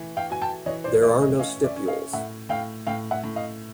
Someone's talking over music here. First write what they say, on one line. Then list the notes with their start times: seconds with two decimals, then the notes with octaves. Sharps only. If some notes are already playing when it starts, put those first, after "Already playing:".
There are no stipules.
Already playing: E3 A3
0.17 F5 G5
0.30 F#4 G#5
0.42 G5 A5
0.66 E3 C#5 D#5
0.84 C5 D5
1.03 A3 D5 E5
1.21 C#5 D#5
1.39 C#4 D#5 F5
1.64 D5 E5
1.76 C#4
1.88 D#5 F5
2.13 A2 E5 F#5
2.49 A2 F5 G5
2.87 A2 F5 G5
3.11 E5 F#5
3.24 A2
3.36 D#5 F5